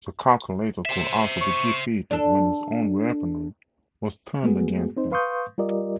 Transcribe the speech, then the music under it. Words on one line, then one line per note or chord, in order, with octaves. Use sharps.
The Calculator could also be defeated when his own weaponry was turned against him.
C5 E5
C#6
D4 A4
G#3 A3 B3 F#4 G#4
C4 D#4 C5
B4 F5 C6 C#6 D#6 G6
G3 F4 G4 A#4 D5 D#5